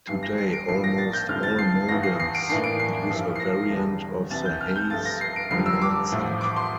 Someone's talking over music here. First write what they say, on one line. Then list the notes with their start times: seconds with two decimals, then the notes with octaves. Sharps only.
Today almost all modems use a variant of the Hayes command set.
0.07 G2 E3 G3 C7
0.23 A#6
0.38 C7
0.53 D7
0.68 A#1 A2 F3 A#3 D4 C7
0.84 A#6
0.98 A6
1.13 G6
1.29 F2 D3 G3 C4 E4 F6
1.43 A6
1.59 C7
1.89 A1 G2 E3 A#6
2.03 C7
2.20 C7
2.35 D7
2.49 A2 E3 A#3 D4 C7
2.64 D7
2.80 C7
3.10 G2 F3 A#3 E4
3.36 C7
3.40 A#6
3.70 E1 E2 D3 G3 D4
4.31 C2 C3 E3 A6
4.45 G6
4.61 F6
4.76 G6
4.90 G2 F3 A3 A6
5.05 A#6
5.21 C7
5.36 D7
5.50 F1 F2 D3 G3 C7
5.66 E6
5.82 D6
6.12 A1 A2 F3
6.41 D6
6.56 C6